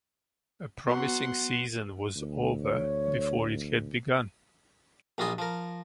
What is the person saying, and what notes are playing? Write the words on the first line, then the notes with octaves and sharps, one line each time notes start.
A promising season was over before it had begun.
F#3 B3 F#5 C6
D2
C#5
A#1 F#3 G3 F4 D#5 G#5
F3 A#4